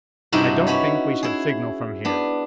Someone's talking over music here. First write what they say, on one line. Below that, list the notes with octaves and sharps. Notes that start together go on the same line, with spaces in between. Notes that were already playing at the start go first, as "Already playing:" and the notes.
"I don't think we should signal from here."
G2 C3 D#4 E4 F#4
C#4 F#4 B4 C#5
E4 G#4
B3 D4